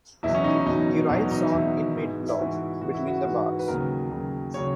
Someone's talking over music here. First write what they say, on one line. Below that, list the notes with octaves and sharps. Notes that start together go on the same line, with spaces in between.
He writes on inmate blog "Between the Bars".
E2 B2 F#3 E4
C#4
D#4
D#4
E2 B2 F#3 D#4
E2 B2 F#3
D#4
E2 B2 F#3 E4
G#2 E3
E4
G#2 E3 F#4
G#2 E3 F#4
E4
F#4
G#2 E3
B4
D#2 C#3 F#3 A#4
D#2 C#3 F#3
C#3 F#3 C#5